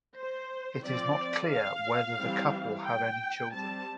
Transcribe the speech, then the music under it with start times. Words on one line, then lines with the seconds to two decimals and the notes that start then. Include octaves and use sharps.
It is not clear whether the couple have any children.
0.16 C5
0.83 F3 C4 D5
1.52 F5
2.18 E3 G3 C4
2.86 G5
3.53 G3 C4 A5